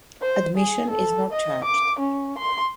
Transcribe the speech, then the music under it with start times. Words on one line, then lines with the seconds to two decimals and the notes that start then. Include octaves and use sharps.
Admission is not charged.
0.22 C5
0.57 G#4
0.90 A4
1.31 D#5
1.64 D6
1.99 C#4
2.38 C6